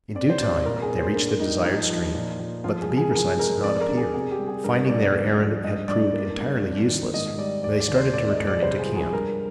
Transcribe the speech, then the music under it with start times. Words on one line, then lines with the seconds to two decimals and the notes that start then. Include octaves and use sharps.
In due time, they reached the desired stream; but, the beaver signs did not appear. Finding their errand had proved entirely useless, they started to return into camp.
0.15 C4 D5
0.30 C5
0.40 C2 D5
0.65 A#2 A#4
0.76 A#4
0.82 G#4
0.90 A#2
0.99 C5
1.15 A#3 D4
1.40 G3 D#4
1.64 F3 D#4
1.90 F3
2.15 A#2
2.40 A#2
2.64 F3 F4
2.82 G#4
2.90 C2
2.97 G#4
3.11 A#4
3.15 F3 G#4
3.39 G#3 A#4
3.64 F2 D5
3.81 A#4
3.89 D3
3.97 G#4
4.14 C3 G#4
4.31 G4
4.39 G3
4.48 G#4
4.64 G2 A#4
4.89 G2 D5
5.14 D2
5.40 F3
5.64 G2 D#5
5.88 G2 D5
6.14 A#3
6.38 G2
6.64 F2
6.89 D#3
7.13 G#2 D#5
7.38 G3 D5
7.64 D#2 D5
7.80 D5
7.88 D#2
7.96 C5
8.13 A#2 D5
8.30 D#5
8.38 G#3
8.47 D5
8.63 C2 C5
8.79 G#4
8.87 F3
8.96 G#4
9.13 G2 A#4